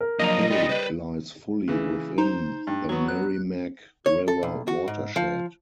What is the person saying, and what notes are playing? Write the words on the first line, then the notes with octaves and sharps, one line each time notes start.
Hill lies fully within the Merrimack River watershed.
A#4
F3 F#3 A#3 D4 D#5 A#5
G3 F4 D5
B4 C5
C#3 E3
D#4 C5
G2
F#3 B3 C#6
F#6
C#5
A4
B1
F#4
G#2
F3